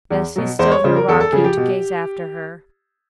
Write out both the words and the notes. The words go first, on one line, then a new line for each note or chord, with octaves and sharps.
Bessy stilled her rocking to gaze after her.
E2
B2 F#3
E2 C5
C#5
C#3 F3 C5
A#4
E2 A4
A4
C#3 F3 G#4
G4
B2